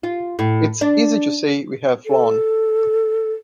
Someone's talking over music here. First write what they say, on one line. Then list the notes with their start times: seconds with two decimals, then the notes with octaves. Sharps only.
It's easy to say, 'We have flown.
0.03 F4
0.39 A2
0.81 D4
2.06 A4